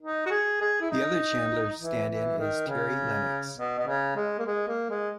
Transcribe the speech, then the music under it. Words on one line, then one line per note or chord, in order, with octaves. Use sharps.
The other Chandler stand-in is Terry Lennox.
D#4
F#4
G#4
G#4
E4
D#4
E3
E3
D#3
C#3
B2
B2
C#3
G#3
A#3
G#3
A#3
G#3